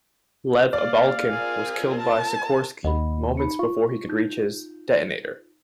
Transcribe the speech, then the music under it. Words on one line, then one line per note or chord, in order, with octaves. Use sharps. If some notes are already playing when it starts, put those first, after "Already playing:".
Lev Abalkin was killed by Sikorski moments before he could reach his "detonator".
A#3 D5 F5
C4 F4 G#4 A#4
A5
D#2 D#5 F#5 B5
D#4 B5 C#7
F4 C#6
D#4 G6